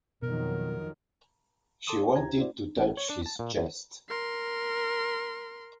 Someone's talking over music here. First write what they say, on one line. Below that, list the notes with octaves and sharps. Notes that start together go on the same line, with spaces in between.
She wanted to touch his chest.
F2 B2 D#3 F#3 A#4
A4 A5 C6 D6 D#6
G#4 C#5
D2 E4 G4 A#5 G#6
E4 F#4 C5 D5
A1
C#5
D4
A5
A#2
E2
A#4 C6